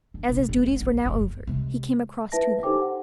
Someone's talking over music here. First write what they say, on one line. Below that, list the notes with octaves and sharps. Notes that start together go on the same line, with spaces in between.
As his duties were now over, he came across to them.
D3
A#1 C3
F2 C4
B3
A#1 E3
F#1 C2
C3 G#3
E4 B4 E5 A5 A#6
D#4 G4 A4 C5 G5 D6
F#5